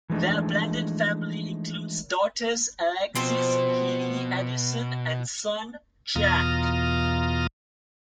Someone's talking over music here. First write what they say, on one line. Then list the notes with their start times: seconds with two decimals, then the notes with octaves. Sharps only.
Their blended family includes daughters Alexis, Hailey, Addison and son, Jack.
0.10 E3 F3 G#3 A3 D4 D#4
3.15 B2 F3 C4 C5
6.16 E2 B2 F4 A#5 D#6 F6